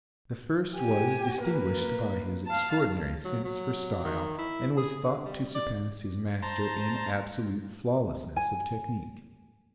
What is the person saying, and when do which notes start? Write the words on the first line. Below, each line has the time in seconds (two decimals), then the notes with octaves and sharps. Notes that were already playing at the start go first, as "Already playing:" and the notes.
The first was distinguished by his extraordinary sense for style, and was thought to surpass his master in absolute flawlessness of technique.
0.76 G4 G#5
1.43 A#3 B4
2.47 F5 A5
3.25 F#3
3.44 F#3
4.05 D#3
4.38 E4
4.77 G#4
5.02 D3
5.26 G3
5.55 D5
6.42 C5 A5 A#5
8.36 G#5